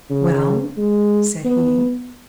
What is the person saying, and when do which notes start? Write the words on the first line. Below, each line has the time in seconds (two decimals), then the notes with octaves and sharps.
"Well?" said he.
0.10 C#3
0.77 G#3
1.45 B3